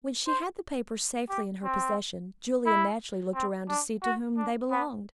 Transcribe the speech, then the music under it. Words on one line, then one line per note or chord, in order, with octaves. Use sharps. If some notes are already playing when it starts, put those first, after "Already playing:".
When she had the papers safely in her possession, Julia naturally looked around to see to whom they belonged.
C5
G4
C4
E4
C4
D4
F#4
D4
B3